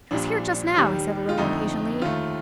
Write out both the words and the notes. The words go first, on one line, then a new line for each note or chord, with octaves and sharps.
"She was here just now," he said a little impatiently.
A#1 A#2 G3 D4
D#2 D#3 G3
F4
F2 D3 A3 D#4
D#2 D#3 A3 F4